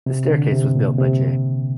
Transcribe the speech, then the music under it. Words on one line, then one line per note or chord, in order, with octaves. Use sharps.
The staircase was built by J.
C3
D3
C3
A#2
C3